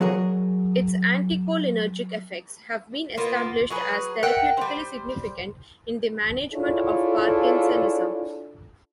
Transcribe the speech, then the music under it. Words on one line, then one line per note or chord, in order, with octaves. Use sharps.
Its anticholinergic effects have been established as therapeutically significant in the management of Parkinsonism.
F#3 F#4 G#4 A#4
A#3 B3 F4
F#3 G#4 B4
A#4 E5 F#5 G5
G3 C5
D4 E4 F4 G#4 A4 C#5